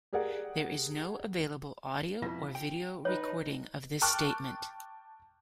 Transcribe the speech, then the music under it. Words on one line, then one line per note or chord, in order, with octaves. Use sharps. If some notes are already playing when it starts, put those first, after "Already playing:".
There is no available audio or video recording of this statement.
G4 G#4 A#4 D5 F#5
F2 B2 E4 F4
G5
D#4 B4 C#5
G5 A5 C#6 D6 F6 F#6